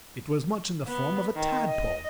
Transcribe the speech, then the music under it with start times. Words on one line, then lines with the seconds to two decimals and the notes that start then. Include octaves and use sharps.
It was much in the form of a tadpole!
0.87 B3
1.36 D#3
1.69 D#5